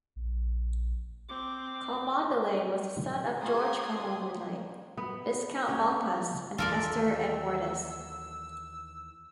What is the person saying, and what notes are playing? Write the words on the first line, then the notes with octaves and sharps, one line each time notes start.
Cholmondeley was the son of George Cholmondeley, Viscount Malpas, and Hester Edwardes.
A#1
C4 D6
G#3 F4 A#5 C6 C#6 D#6 G#6
B3
C#4
D#2 E3 A#3 F4 A4 A#4 D5 E6